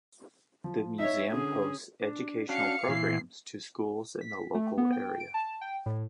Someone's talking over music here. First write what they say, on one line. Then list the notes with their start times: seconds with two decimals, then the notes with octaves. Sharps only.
The museum hosts educational programs to schools in the local area.
0.64 F3
0.99 D#4 C#5 E5
1.32 D3 C#4 G#4
2.02 D4
2.49 C#4 D4 F#4 F5 C#7
2.88 A#2 E3 E4 C7
4.21 B6
4.55 A3
4.78 B3
4.92 G5
5.20 D7
5.34 A5
5.61 G5
5.86 A2